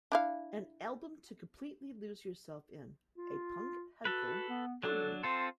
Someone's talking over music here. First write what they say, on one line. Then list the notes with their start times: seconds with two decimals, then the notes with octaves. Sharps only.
An album to completely lose yourself in, a punk headphone album.
0.12 D4 E4 F5
3.17 F4
4.05 F#4 A4 B4
4.49 B3
4.83 F#3 D4 A4
5.23 C4 F4 A4 C6